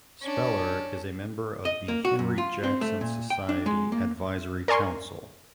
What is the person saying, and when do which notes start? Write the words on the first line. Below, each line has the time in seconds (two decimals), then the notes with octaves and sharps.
Spellar is a member of the Henry Jackson Society Advisory Council.
0.22 C#4 D4
1.65 D#5
1.88 A#3
2.05 F#4
2.19 F#2
2.38 F4
2.63 C4
2.81 A3
3.01 A#2
3.30 G5
3.49 D4
3.66 G#3
3.92 A#3
4.68 A#4 D5 G#5 C6 C#6